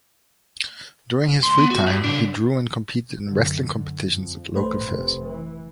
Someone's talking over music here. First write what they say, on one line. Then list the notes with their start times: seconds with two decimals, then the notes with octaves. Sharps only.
During his free time he drew and competed in wrestling competitions at local fairs.
1.43 C#2 C6
1.58 B3
1.71 F#4
1.87 G2
2.04 C#3 D4
3.24 F#2 D3
4.07 F2
4.56 A1 A3 B4 C5
4.86 F1 C3
5.23 E3